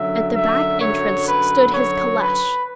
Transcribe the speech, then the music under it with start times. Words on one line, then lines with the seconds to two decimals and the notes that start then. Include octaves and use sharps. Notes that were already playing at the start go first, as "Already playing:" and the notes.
At the back entrance stood his caleche.
Already playing: F#2 D3 F#3 E5
0.34 E5
0.80 C#5
1.28 B4
1.74 C#5
2.21 B4